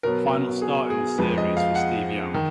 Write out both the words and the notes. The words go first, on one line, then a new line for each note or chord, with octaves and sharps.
Final start in the series for Steve Young.
B2 F#3 B3 A#4
A#4
G#4
G#4
F2 F3 G#3 B4
D#5
F5
F#5
D#3